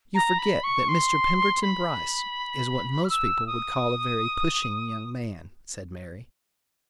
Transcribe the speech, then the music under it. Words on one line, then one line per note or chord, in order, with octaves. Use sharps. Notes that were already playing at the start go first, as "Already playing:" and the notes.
"You forget that Mr. Pemberton Bryce is what most people would call a very pushing young man," said Mary.
A#5
B5
C#6
C6
B5
F6
E6
D#6